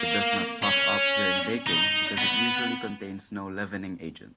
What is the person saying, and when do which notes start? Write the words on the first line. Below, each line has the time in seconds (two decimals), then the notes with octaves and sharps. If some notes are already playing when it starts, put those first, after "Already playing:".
It does not puff up during baking because it usually contains no leavening agent.
Already playing: A#3
0.63 C#4
1.67 D#4
2.18 B3